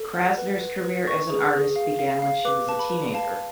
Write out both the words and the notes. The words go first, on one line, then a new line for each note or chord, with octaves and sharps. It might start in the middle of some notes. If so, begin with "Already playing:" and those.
Krasner's career as an artist began when she was a teenager.
Already playing: A4
F#5
B4
B4
B4
B4 C#6
G#4
G#4
F5
F5
F5
B4 D6
B4 A5
B5
B4
F5 A5